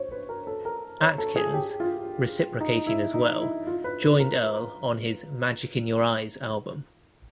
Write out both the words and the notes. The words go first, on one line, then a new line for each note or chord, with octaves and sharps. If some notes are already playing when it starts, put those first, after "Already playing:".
Atkins, reciprocating as well, joined Earl on his "Magic In Your Eyes" album.
Already playing: C5 C#5
B4
A#4
A4
A#4
C#5
A4
G#4
G4
F4
D#4
E4
D#4
E4
F4
B4
B4
A#4